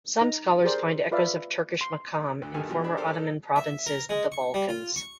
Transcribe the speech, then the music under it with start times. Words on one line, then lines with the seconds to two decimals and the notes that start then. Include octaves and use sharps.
Some scholars find echoes of Turkish makam in former Ottoman provinces of the Balkans.
0.19 D#4 A#5
0.64 G4 G#4 A#4 C5 D5
1.11 F4 B4 D5 E5 F5
1.81 C6
2.42 D2 D3
2.54 A#1 G2 D#3 G3 A4 G#5
2.69 B2 F3 G3 G#3
2.84 D4 G#4 B5
2.97 G4 A4 A#4 C5 D5
3.14 D#4 A4
3.56 E5
3.86 A#4
4.09 G#3
4.32 C#6
4.54 G3
4.69 F4
4.96 C#6